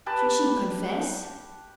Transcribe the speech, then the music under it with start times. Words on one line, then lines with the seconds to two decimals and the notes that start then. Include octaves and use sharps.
Should she confess?
0.06 G4 B4 A5